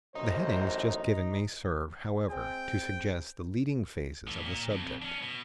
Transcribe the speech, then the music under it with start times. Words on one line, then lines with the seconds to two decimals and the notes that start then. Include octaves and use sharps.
The headings just given may serve, however, to suggest the leading phases of the subject.
0.15 A1 F#2 D#4 C5
2.29 G#3 C4 G5
4.27 A2 E3
4.46 A#2
4.71 F2
5.02 C#4 D4
5.22 B2